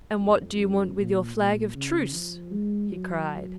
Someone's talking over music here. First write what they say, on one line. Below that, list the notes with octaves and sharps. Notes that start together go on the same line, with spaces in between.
"And what do you want with your flag of truce?" he cried.
F2
F#2
A#2
A#2
C#3
F3
G#3
F#3